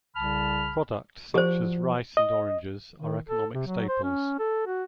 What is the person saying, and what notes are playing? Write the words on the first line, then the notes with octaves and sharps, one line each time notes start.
Products such as rice and oranges are economic staples.
C2 C#3 A5 B5 F6
F3 F#4 G4 C5 D5
D#5
D#3
A4
C3
F#3
C5
C#4
A4
F#4